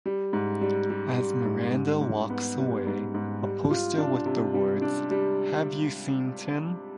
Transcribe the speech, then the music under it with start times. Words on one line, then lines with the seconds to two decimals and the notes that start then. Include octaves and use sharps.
As Miranda walks away, a poster with the words Have you seen Tim?
0.06 G3
0.33 G#2
0.61 G3
0.90 G3
1.18 G3
1.45 G#2
1.73 G#2
2.01 G#2
2.30 B3
2.57 G3
2.86 G#2
3.15 G#2
3.42 G3
3.71 F4
3.98 D4
4.26 C3
4.54 G3
4.82 D4
5.11 G3